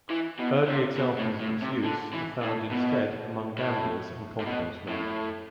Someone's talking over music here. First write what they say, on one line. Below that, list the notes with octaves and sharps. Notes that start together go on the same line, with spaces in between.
Early examples of its use are found instead among gamblers and confidence men.
E3
B2
C3
B2
A2
A2
C3
D3
E3
A2
B2
A2
C3
B2
A2